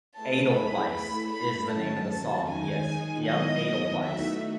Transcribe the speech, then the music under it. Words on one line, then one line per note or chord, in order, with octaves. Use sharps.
Edelweiss is the name of the song, yes, yep, Edelweiss.
A3 E4 G#4 B4 A5
B5
A3 E4 A4 B5
B5
D#3 F#3 C#4 A5
D#3 G#3 D#4 G#5
D#3 F#3 B3 E4 D#5
A3 D#4 F#4 E5